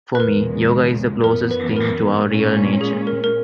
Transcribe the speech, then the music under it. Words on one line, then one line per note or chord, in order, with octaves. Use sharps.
For me, yoga is the closest thing to our real nature.
B4
E2 C#3 G#3 A#4
F#2 E3 B3 A#4
B4
A#4
A#2 G#3 C#4
G#4
A#4
A#4